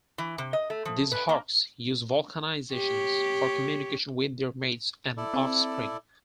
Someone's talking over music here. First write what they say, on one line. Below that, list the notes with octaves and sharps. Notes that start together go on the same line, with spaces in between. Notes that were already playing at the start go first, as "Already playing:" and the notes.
These hawks use vocalizations for communication with their mates and offspring.
E3
C3
D#5
A3
F3
B4
A#3
G4 C#5
E4 A4 D5
C4